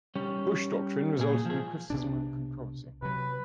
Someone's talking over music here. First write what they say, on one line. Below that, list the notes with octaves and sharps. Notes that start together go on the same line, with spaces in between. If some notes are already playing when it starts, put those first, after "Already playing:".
The Bush Doctrine resulted in criticism and controversy.
G3 C#4
A#2 G#4
F3 G#4
C2 B2 D4
C3 F#3 B4